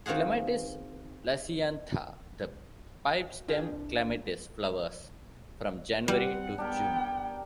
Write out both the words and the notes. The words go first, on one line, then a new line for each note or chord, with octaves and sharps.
"Clematis lasiantha", the pipestem clematis, flowers from January to June.
D#3 C4 F4 F#4 G#4
D4 F4 G#4 G5
C2
G3 C4 F#5
B3 D4 G4 A#4 G5